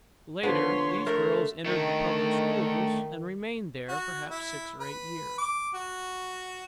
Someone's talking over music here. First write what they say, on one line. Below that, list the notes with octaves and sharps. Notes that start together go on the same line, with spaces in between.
Later, these girls entered the public schools and remained there perhaps six or eight years.
D3 F3 B3 B4 C#5 C6
A3 A#4
D#3 A3 D4
F#4
E4
B4
D6
F#4